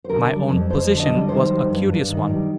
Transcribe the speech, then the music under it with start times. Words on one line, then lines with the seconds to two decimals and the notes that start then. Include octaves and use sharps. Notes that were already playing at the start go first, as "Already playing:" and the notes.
My own position was a curious one.
0.04 C5
0.09 D3 A#4
0.30 G3
0.49 F2
0.70 F2 C5
0.90 D3
1.00 D#5
1.10 G3
1.29 D#3 C5
1.49 G3
1.69 G2
1.89 G2
2.09 D#3
2.29 G3